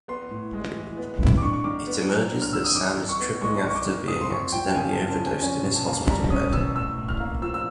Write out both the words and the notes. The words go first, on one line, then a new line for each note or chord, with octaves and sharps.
It emerges that Sam is tripping after being accidentally overdosed in his hospital bed.
B3 C6
A2
G#3
E3
B3
A2
D6
D4 C#6
C#6
D#3 D6
B3
F#3
D4
F6
D#3 E6
D#6
D#3 D6
D#3
C#6
B3
G#3 C#6
D#3 C#6
D6
D#3
F2 D#6
C6
F2 C#6
F3 G5
G5
C#3 G#5
A5
F2
A5
F2
G#5
C#4 G#5
B2
A5
A#3
A5
G3 A#5
C#4 D#6
B2 E6
A2 E6
A2
F6
A#3
F3 E6
E6